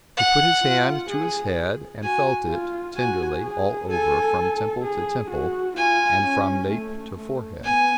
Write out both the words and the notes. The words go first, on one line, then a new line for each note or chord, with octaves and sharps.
He put his hand to his head, and felt it, tenderly, all over, from temple to temple, and from nape to forehead.
F#5
F4
G#4
F#4 G#5
F4
F#4 G#5
G#4
A4 G#5
G#4
F#4
F4 G#5
C#4
A3
A3
B3 G#5